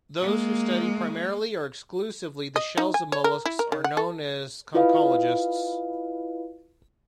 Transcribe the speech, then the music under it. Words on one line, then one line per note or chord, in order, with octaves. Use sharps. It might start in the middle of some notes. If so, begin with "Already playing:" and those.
Those who study primarily or exclusively the shells of mollusks are known as conchologists.
G#3 A#3
D#5
D#4
G#5
C#5
A#4
E4
A#4
D#3
F#5
A4
E4 F4 B4 D#5 F5